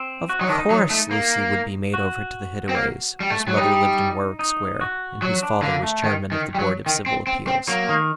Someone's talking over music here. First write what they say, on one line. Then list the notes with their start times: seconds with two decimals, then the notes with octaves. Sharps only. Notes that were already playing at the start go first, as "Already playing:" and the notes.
Of course Lucy would be made over to the Hittaways, whose mother lived in Warwick Square, and whose father was Chairman of the Board of Civil Appeals.
Already playing: C4
0.29 F#4
0.39 F#3 D#4
0.49 D#3 D4
0.59 D#4
0.70 F#3
0.90 A3
1.11 A#3
1.94 F#4
2.69 C4
2.75 A#3
3.20 G3
3.30 A3
3.48 F#3
3.57 G3 D#4
4.39 D#4
4.81 F#4
5.22 F#3 F#4
5.43 D4
5.62 D3 A#3
5.83 A3
6.04 D#3
6.32 D#3
6.55 G3
6.59 F#3
6.86 D#3
7.06 C4
7.27 C4
7.47 C4
7.68 F#3 A#3
7.89 D#3